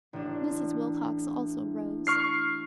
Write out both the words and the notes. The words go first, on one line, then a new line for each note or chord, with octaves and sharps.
Mrs. Wilcox also rose.
A1 D4
C#6 F6 C7